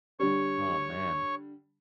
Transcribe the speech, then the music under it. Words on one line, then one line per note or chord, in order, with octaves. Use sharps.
Oh man.
D3 G3 C#5 C#6